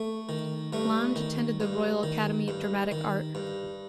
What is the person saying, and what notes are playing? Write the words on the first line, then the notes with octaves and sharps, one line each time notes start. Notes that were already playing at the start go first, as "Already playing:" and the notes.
Lange attended the Royal Academy of Dramatic Art.
Already playing: A3
D#3
G2 A3
D#3
G2
D#3
G2
D#3
G2